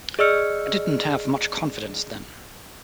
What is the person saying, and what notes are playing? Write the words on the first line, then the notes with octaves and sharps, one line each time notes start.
I didn't have much confidence then.
G#4 D5 D#5 E6 F6 C#7